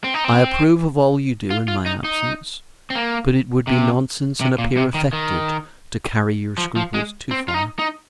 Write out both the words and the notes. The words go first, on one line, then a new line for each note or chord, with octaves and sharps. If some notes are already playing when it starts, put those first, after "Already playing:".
I approve of all you do in my absence; but it would be nonsense, and appear affected, to carry your scruples too far.
C4
D#4
C4
F4
F4
D#4
D#4
C4
A#3
C3
C3
A#2
C3
D#3
D#3
F3
F3
G#3
C4
F4
D#4
D#4